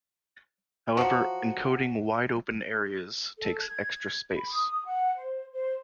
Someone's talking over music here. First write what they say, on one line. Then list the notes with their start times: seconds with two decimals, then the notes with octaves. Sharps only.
However, encoding wide-open areas takes extra space.
0.97 F3 F#3 F#4
3.38 A4
3.60 G#6
4.36 B5
4.50 D#6
4.86 F#5
5.16 C5
5.52 C5